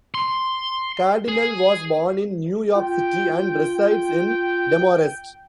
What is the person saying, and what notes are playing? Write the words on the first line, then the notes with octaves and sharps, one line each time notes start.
Cardinale was born in New York City, and resides in Demarest.
C6
G#4
F4 G5